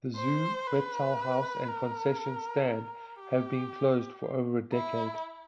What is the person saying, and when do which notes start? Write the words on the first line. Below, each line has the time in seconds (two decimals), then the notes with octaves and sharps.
The zoo, reptile house, and concession stand have been closed for over a decade.
0.17 C5
0.67 B4
1.68 A#4
2.69 A#4
3.20 G4
4.73 E4